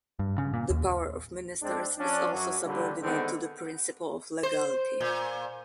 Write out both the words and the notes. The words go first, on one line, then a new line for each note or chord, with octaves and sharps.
The power of ministers is also subordinate to the principle of legality.
G2
C#3
A#2
D#2
G#3 C4 D4
F3 C#4 D4
F#2 F#3
A#2 D3 G3
D3 D#3 G#3 B3 C4
C5
A#2